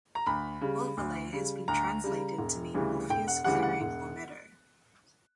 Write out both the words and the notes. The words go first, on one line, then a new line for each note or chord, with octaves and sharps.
Ulverlei has been translated to mean Wulfhere's clearing or meadow.
A#5
D2 B5
C#3 G3
D2
C#3 G3
D2 A#5
C#3 G3
E1
D2 C#3 E3 G3
E1 G5
F#5
D2 C#3 E3 G3 F#5
F#5
E1